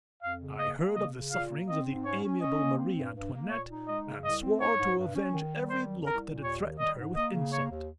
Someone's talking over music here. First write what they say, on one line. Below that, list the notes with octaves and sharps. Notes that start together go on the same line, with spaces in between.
I heard of the sufferings of the amiable Marie Antoinette, and swore to avenge every look that had threatened her with insult.
F2 F5
C#3
A#3 D#5
A#3
C#3 D#5
C#3
A#2 F5
A#3
C4 D#5
G#2
C#4 C#5
C#4
C#4 D#5
A#3
C4
G2
G2
A#3
A#2 C#5
D#4
G#3 D#5
C#3
C2 D#5
C4
G#2 C#5
G#2
G2
C#4
D#3
G3
D#3 C5
F2
C2 A#4
A#2
D#2 C#5
D#3
G3 D#5
G#2
A#3 D#5
C#3
A#3 C#5
D#2